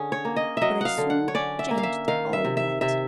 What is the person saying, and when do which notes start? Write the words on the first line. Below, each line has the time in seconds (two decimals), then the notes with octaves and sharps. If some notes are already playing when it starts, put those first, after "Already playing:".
But I soon changed all that.
Already playing: D3 C#4 G#4
0.12 C#5
0.25 A#3
0.36 D#5
0.57 F#3 D#5 E5
0.81 F5 F#5
0.98 D3
1.10 F#5
1.28 C#5
1.35 C#4 D5
1.59 E5
1.71 A#3
1.78 F5
1.83 E5
2.08 D#3 F5
2.33 E5
2.44 C3
2.57 E5
2.81 C3 E5